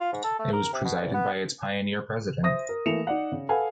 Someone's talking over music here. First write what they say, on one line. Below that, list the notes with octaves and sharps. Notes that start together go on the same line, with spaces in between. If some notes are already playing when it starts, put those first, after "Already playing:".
It was presided by its pioneer president.
F4
G#2
A4
A3
A#4
C3
B2
E2
B3
C5 E5 D#6 A#6
A#4
E3 A3 A#3 C#7 E7 F7
D#4 D5 F#5
C#3
A4 B4 F5 F#5 G#5